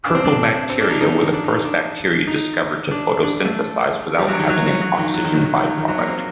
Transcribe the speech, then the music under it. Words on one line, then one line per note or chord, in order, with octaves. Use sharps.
Purple bacteria were the first bacteria discovered to photosynthesize without having an oxygen byproduct.
D4
C4
D4
C4
D4
D#4
D#4
D4
D#4
D4
D#4
D4
D4
A3
G3
F#3
D#3
F#3
F#3
F#3
D#3
F#3
D#3
F#3
F#3
D#3
F#3
D#3
F#3
A#3
C4